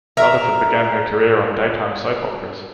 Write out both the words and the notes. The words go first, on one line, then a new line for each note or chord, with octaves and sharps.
Rutherford began her career on daytime soap operas.
A#4 E5 A#5